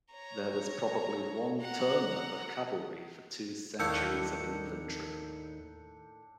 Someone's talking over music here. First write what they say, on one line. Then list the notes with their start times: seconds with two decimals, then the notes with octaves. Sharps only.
There was probably one "turma" of cavalry for two centuries of infantry.
0.12 C#5 A#5
1.60 F#5 A#5
3.79 D#2 A2 D#3 A#3 D4 E6 G6 C#7